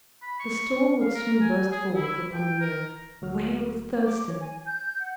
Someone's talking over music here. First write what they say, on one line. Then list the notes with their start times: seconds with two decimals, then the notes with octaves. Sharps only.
The storm would soon burst forth upon the earth; where was Thurston?
0.22 B5
0.40 C#6
1.00 F5
1.15 A#4
1.41 G#5
1.71 G#4
1.94 E4
2.33 G5
2.60 A#4
3.22 D2 F#3 F6
4.04 D6
4.26 C#5
4.40 G#5
4.65 G6
5.00 F#5